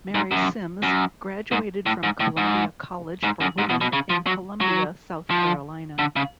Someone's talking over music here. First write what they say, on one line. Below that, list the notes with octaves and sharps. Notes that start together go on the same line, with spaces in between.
Mary Simms graduated from Columbia College for Women in Columbia, South Carolina.
G#2
F#2
F#2
G#2
A2
G#2
A2
G#2
G#2
F#2
G#2
B2
B2
C#3
F3
F#3
F#3
F3
D3
C#3